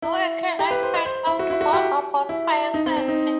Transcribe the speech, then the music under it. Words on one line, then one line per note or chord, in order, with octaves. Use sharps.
Where can I find out more about fire safety?
E4
G4
B4
C5
D#5
C5
E4
F#4
E4
F#4
G4
E4
D#4
C4
C4
D#4